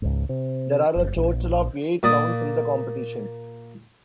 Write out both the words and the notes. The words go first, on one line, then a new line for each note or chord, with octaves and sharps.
There are a total of eight rounds in the competition.
C#2 G#2
C3
F#1
A#1
A#2 D5 D#6